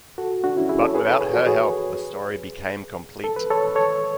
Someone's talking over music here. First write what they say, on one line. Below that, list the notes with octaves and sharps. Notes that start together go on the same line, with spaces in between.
But without her help the story became complete.
F#4 A4
D4 F#4
C#4 E4
E4 G#4
A4 C#5
G#4 B4
A4 C#5
G#4 B4
F#4 A4
C#5
G#4 B4
A4
B4
A4 C#5
A4 C#5